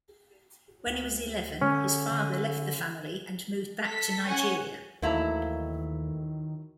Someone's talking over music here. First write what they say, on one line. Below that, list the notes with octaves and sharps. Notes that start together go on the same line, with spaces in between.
When he was eleven, his father left the family and moved back to Nigeria.
D2
D3 C#4
D3
A4 B6
C#4 F#5 G#5 C#6
D#2 D#3 E3 F#3 A3 A#3 E4 A#5